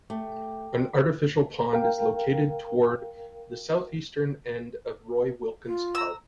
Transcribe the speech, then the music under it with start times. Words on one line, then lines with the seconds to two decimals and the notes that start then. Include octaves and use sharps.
An artificial pond is located toward the southeastern end of Roy Wilkins Park.
0.10 A3 G4
1.73 A#4 F5 G5
5.66 F4
5.95 A#5 E6